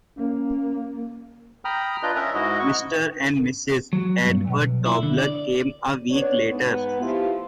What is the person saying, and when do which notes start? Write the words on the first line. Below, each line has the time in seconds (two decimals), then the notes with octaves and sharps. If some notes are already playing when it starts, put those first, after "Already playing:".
Mr. and Mrs. Edward Tobler came a week later.
0.18 A#3 C#4
1.65 G5 A#5 B5 D#6 F6
2.03 D4 F4 B4 D#5 G6
2.16 C#4 A#4 E5 A#5
2.34 G#2 E4 F#4 D#5
2.59 F#4 C#6
3.93 F#3
4.26 G2
4.48 B1
4.85 E4
5.03 D3
5.18 D5
6.11 B3 D4 C#5
6.50 G#2 B3
7.02 F3 A3 E4 F4 G4